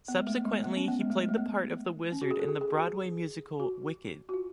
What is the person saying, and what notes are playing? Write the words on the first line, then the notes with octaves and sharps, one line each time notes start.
Subsequently, he played the part of The Wizard in the Broadway musical "Wicked".
B3
G#3
A3
B3
G#3
A3
B3
C#4
B3
G#3
A3
G#3
A3
B3
C#4
F#4
G#4
A4
G#4
G#4
F#4
G#4
F#4
F#4
F4